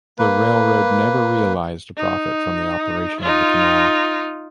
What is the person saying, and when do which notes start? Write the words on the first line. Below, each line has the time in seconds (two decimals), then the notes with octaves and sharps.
The railroad never realized a profit from the operation of the canal.
0.18 A#3 B4
1.96 D#4
3.21 D#4 F4